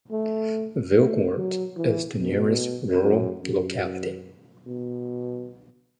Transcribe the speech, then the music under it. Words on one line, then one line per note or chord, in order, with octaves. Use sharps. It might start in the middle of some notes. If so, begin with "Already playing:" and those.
Vilgort is the nearest rural locality.
A3
A3
F#3
E3
B2
F#2
F#2
B2